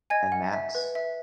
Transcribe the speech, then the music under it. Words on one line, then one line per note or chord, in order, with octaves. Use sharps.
And that's
D#5 G#5 G#6
F#5
E5
B4
E5